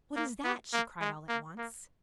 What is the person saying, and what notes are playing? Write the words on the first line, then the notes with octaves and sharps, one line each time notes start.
"What is that?" she cried, all at once.
A#3
B3
A#3
G#3
A#3
A#3